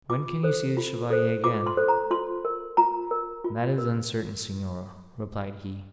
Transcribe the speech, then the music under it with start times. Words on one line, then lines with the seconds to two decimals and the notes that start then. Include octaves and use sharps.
When can you see the Chevalier again?' 'That is uncertain, Signora,' replied he.
0.10 F4 D6
0.43 A4 C5
0.77 F4
1.10 A4 C5
1.44 F4 D6
1.66 C6
1.77 A4 C5
1.88 A#5
2.10 F4 C6
2.45 A#4
2.77 F4 A#5
3.11 A#4
3.44 F4
3.78 A#4